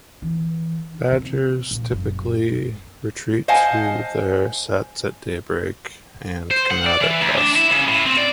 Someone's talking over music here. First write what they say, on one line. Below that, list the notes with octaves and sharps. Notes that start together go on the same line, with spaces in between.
Badgers typically retreat to their setts at daybreak and come out at dusk.
E3
C3
A#1
F#1
C5 D#5 F5 F#5 G#5 A5
C5
F#5
D5
E3
D2
D4
E4
C#3
A2
C4
D5